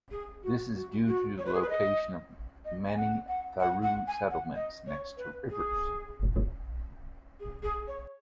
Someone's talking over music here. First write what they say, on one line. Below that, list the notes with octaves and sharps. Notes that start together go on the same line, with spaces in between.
This is due to the location of many Tharu settlements next to rivers.
G#4
F#4
F#4
F#4
C#5
B4
G#4
B4
D#5
D#5
G#5
F#5
F#5
F#5
F#5
G#5
F#5
D#5
C#5
B4
G#4
G#4
G#4
C#5